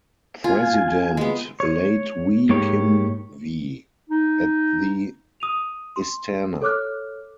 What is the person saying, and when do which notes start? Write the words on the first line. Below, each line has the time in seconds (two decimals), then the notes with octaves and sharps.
President Late Wee Kim Wee at the Istana.
0.44 F4 G#5
1.17 G#3 B3
1.60 C#5
2.49 G#2 A#3 G4 C#5
4.10 D#4
5.40 D#6 D#7 F7
5.96 C6
6.62 A4 C#5 D6 F6 F#6